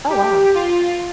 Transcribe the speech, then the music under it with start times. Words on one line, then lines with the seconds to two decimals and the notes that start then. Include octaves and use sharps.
Oh, wow.
0.10 G4
0.55 F4